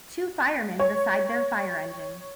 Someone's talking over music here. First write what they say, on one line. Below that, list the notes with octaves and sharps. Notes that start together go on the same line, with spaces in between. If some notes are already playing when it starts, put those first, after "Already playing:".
Two firemen beside their fire engine.
C#5